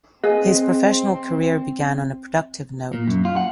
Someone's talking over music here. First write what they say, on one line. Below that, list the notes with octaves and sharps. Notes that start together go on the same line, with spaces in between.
His professional career began on a productive note.
C4 G#4 B4 D#5
A#2
F#2
F4
F#5